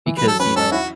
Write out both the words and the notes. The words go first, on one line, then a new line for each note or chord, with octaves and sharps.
Because, you know,
E3
B4
F#3
A4
C#4 B4
C#4 A4
E4 F#4